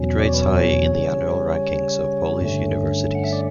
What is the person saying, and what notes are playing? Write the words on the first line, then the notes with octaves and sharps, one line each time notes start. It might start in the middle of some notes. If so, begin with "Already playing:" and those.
It rates high in the annual rankings of Polish universities.
Already playing: E2 B2 F#3 C#4
D5
C#5
B4
C#5
C#3 G3 C#4
G2 D3 A3 C#4
F#5
E5
D5